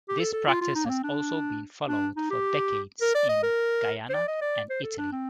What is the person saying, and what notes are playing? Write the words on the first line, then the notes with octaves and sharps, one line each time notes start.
This practice has also been followed for decades in Guyana and Italy.
G4
A4
A4
F4
F4
D#4
A#3
C4
D4
D4
D#4
G4
A#4
D5
D#5
A#4
C5
D5
D#5
D5
C5
A4
D4
C4